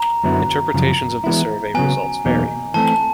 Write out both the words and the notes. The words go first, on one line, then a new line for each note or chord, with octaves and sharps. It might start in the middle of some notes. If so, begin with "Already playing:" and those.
Interpretations of the survey results vary.
Already playing: A#5
F#2 D3 F#3 B3 E4
F#2 C#3 F3
E3 G#3 B3 E4
C#3 F#3 B3 G#5
E2 B2 F#3 A#3 D#4
E3 A3 C4 A5